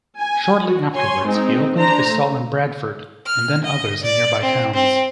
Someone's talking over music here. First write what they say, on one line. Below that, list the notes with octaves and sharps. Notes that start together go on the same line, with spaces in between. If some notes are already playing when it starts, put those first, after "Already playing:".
Shortly afterwards he opened a stall in Bradford and then others in nearby towns.
G#5
F#4
C#5 G#5 C6
G#3 C4 D#4
D4 C5 A#5
A3
F6
D#5
D5
C4
C4